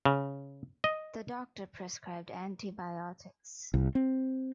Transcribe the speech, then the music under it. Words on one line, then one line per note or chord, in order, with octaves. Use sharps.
The doctor prescribed antibiotics.
C#3
D#5
C2
C4